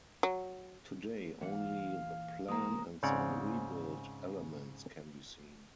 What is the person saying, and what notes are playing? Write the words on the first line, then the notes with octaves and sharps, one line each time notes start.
Today only the plan and some rebuilt elements can be seen.
F#3
A#2 E3 F5 F#5
A#2 F3 A#3 A#5 D#6
G#2 C#3 C4 C#5 D5 F#5